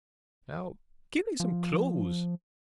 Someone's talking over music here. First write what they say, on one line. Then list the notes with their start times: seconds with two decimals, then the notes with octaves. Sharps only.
Now, get me some clothes.
1.40 F3